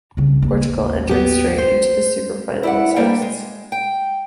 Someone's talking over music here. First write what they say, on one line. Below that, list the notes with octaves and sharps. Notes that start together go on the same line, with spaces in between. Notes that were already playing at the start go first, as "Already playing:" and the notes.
Portugal entered straight into the Superfinal as hosts.
C2 C#3
A1 D#2
B3 G4
C5
E4 D5 F#5
G3 A#3 D4 G4 A4
G#3
G5